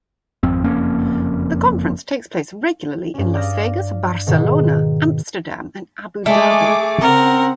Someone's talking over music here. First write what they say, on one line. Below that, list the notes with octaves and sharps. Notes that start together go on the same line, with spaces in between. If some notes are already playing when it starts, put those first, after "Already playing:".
The conference takes place regularly in Las Vegas, Barcelona, Amsterdam, Abu Dhabi.
G#1 F2 C4
F#1 F2 A#3 C#4
G2 C#4
D5 F5 D#6 A#6
G#2 B2 D#3 D#4
G#3 A3 G#4 G#5 D6
C#3 C4 A#4 F#5